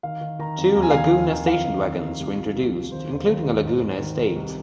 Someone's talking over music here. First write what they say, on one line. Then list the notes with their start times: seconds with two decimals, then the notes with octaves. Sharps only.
Two Laguna station wagons were introduced, including a Laguna Estate.
0.03 D#3 F5
0.21 D#3
0.39 D#3 A#5
0.57 F2
0.75 D#2 A#5
0.83 G#5
0.90 F5
0.94 D#3 G#5
1.11 D#2
1.30 D#3
1.47 F2 F5
1.65 D#3
1.84 F2
2.02 D#3
2.20 C2
2.38 F3
2.55 C2
2.74 C3
2.92 D#3 C5
3.10 D#2
3.28 D#3
3.46 D#2
3.64 G#2 C5
3.82 G#2
4.00 D#3
4.18 D#3
4.36 C2